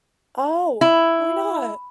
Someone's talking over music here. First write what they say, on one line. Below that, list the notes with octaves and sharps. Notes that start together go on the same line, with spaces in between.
Oh! Why not?
E4